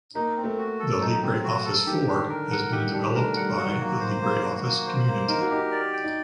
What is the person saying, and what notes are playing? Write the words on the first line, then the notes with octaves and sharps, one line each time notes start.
The LibreOffice four has been developed by the LibreOffice community.
A#3 D#4
C4
A3
F#4
A4
F#3 D#4
C4
F#4
A4
D#3 G4
D4
D3
A#4
F#5
D#3 G4
G3 D4
A3 A#4
G3 F#5
F#3 F#4
D#3
F#3 A#3
C5
A#3
F#4
A#3
C5
A#3
D#4 A#4
F#4
D#4 G4
D5
G5
D#4